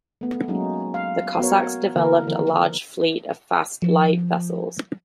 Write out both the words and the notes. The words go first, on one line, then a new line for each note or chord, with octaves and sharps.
The Cossacks developed a large fleet of fast, light vessels.
A3 B3
F#3 G#3 A#3 C#4 D#4
F5
B3 F#4 A#4 C#5
D3 E3 A#3 A#4
D#3 F3 A#4
F3